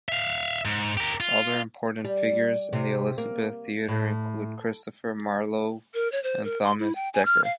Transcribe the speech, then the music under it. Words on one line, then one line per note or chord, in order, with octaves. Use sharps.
Other important figures in the Elizabethan theatre include Christopher Marlowe, and Thomas Dekker.
E5 F5
G#2
G4 A#4
F4
G3
C3
A#3
A2
A#4
C#5
C5
A#4
C6
E4
G5
G#5
F6
F5